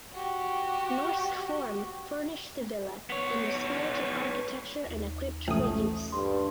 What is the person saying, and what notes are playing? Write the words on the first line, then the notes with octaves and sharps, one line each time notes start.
Norsk Form furnished the villa in "the spirit of architecture and equipped for use".
F#4 G4
B3 C#5
D#2
A1 A3 D#6
G2 C6